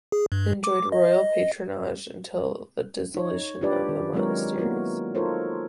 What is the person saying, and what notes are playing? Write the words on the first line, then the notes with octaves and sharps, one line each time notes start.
It enjoyed Royal Patronage until the dissolution of the monasteries.
G#4
G2
D6
D#5
D#4 C#5
D4 F4 G4 B4 D5
D#3
F#3 G#3 C4 F4 A#4 C#5
A#3 B3 E4 F#4 A#4
D#4 F4 A4 A#4 C5 C#5